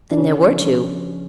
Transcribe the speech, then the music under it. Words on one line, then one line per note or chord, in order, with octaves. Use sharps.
"Then there were two?"
D4
C#3 C#4
F3